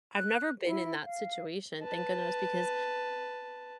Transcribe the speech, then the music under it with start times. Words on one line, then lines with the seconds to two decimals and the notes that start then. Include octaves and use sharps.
I've never been in that situation- thank goodness- because
0.16 F#6
0.66 E4
1.04 F5
1.83 B4 A5